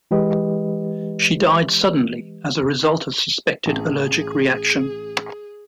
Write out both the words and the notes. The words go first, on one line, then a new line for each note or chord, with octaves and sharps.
She died suddenly as a result of suspected allergic reaction.
E3 G#3 G4 B4 D#5
A1 G#4